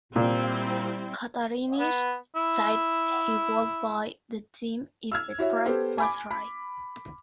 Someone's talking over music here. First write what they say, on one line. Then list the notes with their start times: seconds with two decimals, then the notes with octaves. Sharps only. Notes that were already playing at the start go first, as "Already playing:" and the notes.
Cattarinich said he would buy the team if the price was right.
0.16 A#2 G3 C4 E4
1.80 B3
2.36 E4
5.12 E6 F6 G#6
5.38 E4 F#4 C#5 E5
5.65 B3 G4 A4 C5
5.98 G#5 B5 D6
6.31 B5